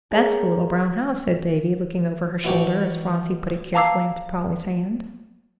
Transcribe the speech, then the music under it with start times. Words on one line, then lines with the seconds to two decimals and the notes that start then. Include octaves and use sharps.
"That's the little brown house," said Davie, looking over her shoulder as Phronsie put it carefully into Polly's hand.
0.11 G4 G#4 A#4 C#5
2.44 E3 F#3 D#4 F#4 G4
3.74 F5 A5 A#5 D6 E6 C7